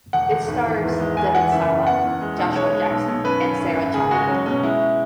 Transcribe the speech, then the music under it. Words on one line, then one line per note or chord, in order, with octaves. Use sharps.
It stars Devon Sawa, Joshua Jackson and Sarah Chalke.
E1 F#5
E1
G#1
E3
E2
G#3
E2 G#5
E3 F#5
F#1 E5
F#1
E2 F#5
E2
G#3
B1
G#3 C#5
G#3
B1
B1
F#2 B4
F#2
G#1
G#1
C#2 G#4
G#3 F#4
F#3 C#4
B2 C#4
G#3 E4